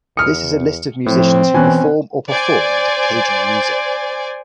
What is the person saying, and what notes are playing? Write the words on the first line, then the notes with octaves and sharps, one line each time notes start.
This is a list of musicians who perform or performed Cajun music.
E2 D#6 F6 C#7
A2 F3 C4
B2 E3 C#4 G#5 F#6
C5 D5 G#5